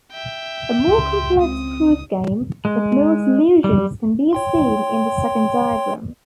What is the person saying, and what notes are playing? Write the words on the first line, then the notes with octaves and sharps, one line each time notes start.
A more complex proofgame, with more solutions, can be seen in the second diagram.
E5 G5
C#2 C6
C4 D#6
G#3
G3
C#5 G5 C6